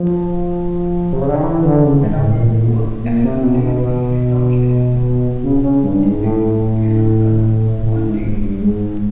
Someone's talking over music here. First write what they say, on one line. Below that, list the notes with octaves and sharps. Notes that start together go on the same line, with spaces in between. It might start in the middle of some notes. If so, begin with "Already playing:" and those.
The town is coextensive with Union Township in Tippecanoe County.
Already playing: F3
C3
C#3
D3
D#3
E3
D3
C#3
G#2
A2
A#2
A2
A#2
A2
A#2
C3
B2
B2
B2
C#3
C#3
G2
G#2
A2
A2
G#2
G2
G#2